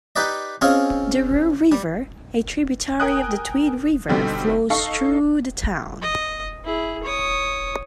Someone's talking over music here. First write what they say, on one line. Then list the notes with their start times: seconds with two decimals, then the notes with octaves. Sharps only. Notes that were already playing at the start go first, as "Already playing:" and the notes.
The Rous River, a tributary of the Tweed River, flows through the town.
0.16 D#4 G4 B4 D5 D#5
0.61 C4 C#4 F4 G#4 D#5 F5
1.72 G3
3.00 A#4 G5 G#5 D#6 F#6
4.08 B2 D3 G3 C4 D#4
4.70 D#4 A4 F5 C#6
6.02 D#5
6.65 E4 G#4
7.03 C#5 D#6